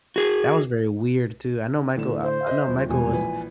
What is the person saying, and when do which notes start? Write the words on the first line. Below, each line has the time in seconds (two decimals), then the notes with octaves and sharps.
that was very weird, too. I know Michael I I know Michael was
0.16 F#4 G#4
1.97 A2 D3 E7
2.23 C5
2.46 D#5 E5
2.67 D#1
2.89 E1 B2 G3 G#5
3.12 A#1 E3 B4